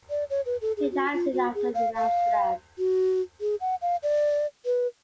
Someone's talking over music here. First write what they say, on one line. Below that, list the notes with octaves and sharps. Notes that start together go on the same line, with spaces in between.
He died soon after in Amsterdam.
D5
C#5
B4
A4
G#4
F#4
F4
F#4
G#4
F5
F5
F#4
G#4
F#5
F5
D5
B4